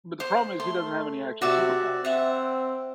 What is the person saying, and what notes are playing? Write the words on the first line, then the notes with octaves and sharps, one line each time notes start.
But the problem is he doesn't have any actual superpowers.
C5
A3 C6
C3 F#4 D5 E5
C4 E5 F#5